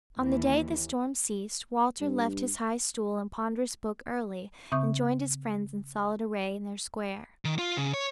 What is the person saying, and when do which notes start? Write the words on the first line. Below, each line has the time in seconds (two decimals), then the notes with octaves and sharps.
On the day the storm ceased Walter left his high stool and ponderous book early and joined his friends in solid array in their square.
0.18 D#2 E3
2.00 G2
4.72 C#3 C4 E5 C#6 D#6 G6
7.45 D#3
7.59 F4
7.77 C#3
7.94 C#5